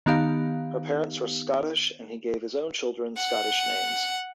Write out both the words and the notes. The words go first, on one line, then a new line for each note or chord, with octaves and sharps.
His parents were Scottish, and he gave his own children Scottish names.
D#3 B3 D#4 G4 F5
F#5